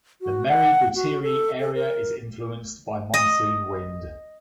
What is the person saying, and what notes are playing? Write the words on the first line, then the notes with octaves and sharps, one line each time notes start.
The Meru Betiri area is influenced by monsoon wind.
F#4
F#5
F#4
A4
A4
A#4
D#5